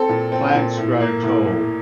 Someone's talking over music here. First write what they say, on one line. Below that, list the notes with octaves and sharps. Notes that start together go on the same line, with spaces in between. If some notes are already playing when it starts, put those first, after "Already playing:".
Plants grow tall.
Already playing: C4 A4
A#2
C4
A#2
A2
A#3
A2
A2